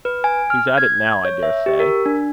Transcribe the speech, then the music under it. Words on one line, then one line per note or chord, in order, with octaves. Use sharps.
He's at it now, I daresay.
B4
G#5
F6
G#6
C#5
E5
G4
A#4
D4